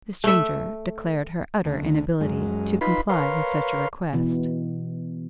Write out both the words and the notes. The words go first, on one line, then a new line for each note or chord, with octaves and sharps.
The stranger declared her utter inability to comply with such a request.
A3 E5
D2
F#2 G#3
D#4 F4 B4 B5 C6
A#4 B4 C#5 F5 C6
B2 E3